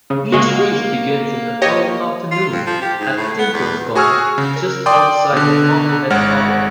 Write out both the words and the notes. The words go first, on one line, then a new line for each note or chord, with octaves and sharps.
Each race begins in the early afternoon at "Tinkers Gong", just outside Marblehead Harbor.
C#3
C#3 G#3 A#3 F#4
G4 C#5 D#5
F4
F2
F3
G4
G#2
A2
B3
E2
F#4 G#4 G#5 C#6 E6 F6
C#3
A#4
D5 G5 C6 D6 D#6 G6
B2 D3
G#1 G#3 C#5 F#5 F6